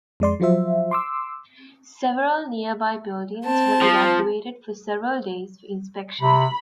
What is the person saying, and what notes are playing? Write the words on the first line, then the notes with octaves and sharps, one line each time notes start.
Several nearby buildings were evacuated for several days for inspection.
F2 G#3 D5 C6
F3 F#3 F4 C5 E5
C6 D6 E6
C4 A5
F3
C3 B5